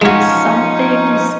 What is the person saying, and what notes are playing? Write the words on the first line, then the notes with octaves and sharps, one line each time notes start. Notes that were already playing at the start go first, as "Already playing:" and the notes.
some things
F3 G#3 C#4 D#4 F#4